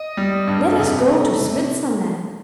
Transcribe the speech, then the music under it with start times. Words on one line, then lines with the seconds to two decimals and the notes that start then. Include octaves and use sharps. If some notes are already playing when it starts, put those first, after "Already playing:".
Let us go to Switzerland!
Already playing: D#5
0.17 G3
0.47 G2
0.78 C3
1.09 A3
1.39 C3